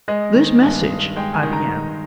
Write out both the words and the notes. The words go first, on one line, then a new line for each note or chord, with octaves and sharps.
"This message," I began...
G#3 D#5
D#3
G2 G#5
G2
G#3 G5
G#5
D#3
A#5